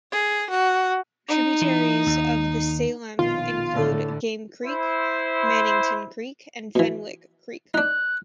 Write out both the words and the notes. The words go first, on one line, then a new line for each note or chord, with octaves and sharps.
Tributaries of the Salem include Game Creek, Mannington Creek, and Fenwick Creek.
G#4
F#4
D#4
E3
D#2
A#1 B2 D#3 F4
A2 D3
E4 C5
B2 E3
D4 D#4 F#6